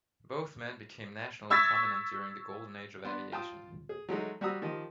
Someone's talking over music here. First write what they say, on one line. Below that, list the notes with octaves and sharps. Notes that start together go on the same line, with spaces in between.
Both men became nationally prominent during the Golden Age of Aviation.
C#6 E6 G#6 A6 B6
B3 D4 C6
F4 G5 A5 D#6
G#4
F#3 G#3 A3 D#4
G3 F#4 G4 A#5 D#6 E6
D#3 F3 G4 D#5